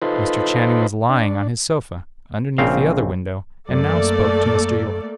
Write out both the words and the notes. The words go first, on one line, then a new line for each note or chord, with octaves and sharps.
Mr. Channing was lying on his sofa underneath the other window, and now spoke to Mr. Yorke.
D#4 F4 A4 B4 C5
D4
A#1 C#3 C4 F5
F#2 A3 A#3 A4 D5